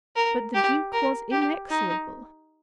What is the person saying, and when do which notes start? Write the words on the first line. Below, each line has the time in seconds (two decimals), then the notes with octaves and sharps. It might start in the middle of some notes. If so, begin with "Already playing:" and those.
But the Duke was inexorable.
0.16 A#4
0.55 G4
0.93 A#4
1.31 G4
1.69 D#4